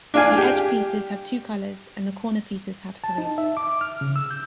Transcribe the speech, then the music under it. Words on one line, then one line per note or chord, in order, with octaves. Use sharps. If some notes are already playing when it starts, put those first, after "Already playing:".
The edge pieces have two colors, and the corner pieces have three.
D4 F4 G#5
G4
A5
D#4
E5
D6
F6
C#3
E6
G6